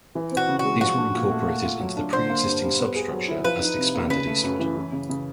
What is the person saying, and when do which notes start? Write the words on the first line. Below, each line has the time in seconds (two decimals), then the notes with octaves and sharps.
These were incorporated into the preexisting substructure as it expanded eastward.
0.15 E3
0.31 C4
0.37 F#4
0.48 C#3
0.59 F#4
0.65 G#3
0.81 F3 F#4
0.98 D4
1.15 A#2
1.30 A3
1.47 A#3
1.63 F4
1.80 F#3
1.97 D4
2.13 D3 C5
2.29 A#3
2.46 G2
2.62 G3
2.79 B3
2.96 G#4
3.11 F#3
3.28 E4
3.44 F3 B4
3.62 D#4
3.78 C3
3.95 A#3
4.10 C#3 B4
4.26 A3
4.44 F#2
4.60 E3
4.76 E3
4.92 C#3
5.09 C#3